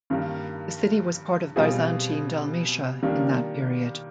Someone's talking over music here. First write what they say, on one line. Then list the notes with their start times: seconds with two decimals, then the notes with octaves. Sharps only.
The city was part of Byzantine Dalmatia in that period.
0.10 G2 D#3 G3 A#3
1.56 B2 G3 C4 F4 G#4
3.03 D#3 G3 A#3 D4 G4